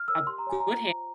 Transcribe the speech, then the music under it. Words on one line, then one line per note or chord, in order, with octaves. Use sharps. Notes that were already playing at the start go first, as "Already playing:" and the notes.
a good
Already playing: F6
A#4 C#5 E6
G4 C6
A#5
C#5 G#5
A#5
F4
C5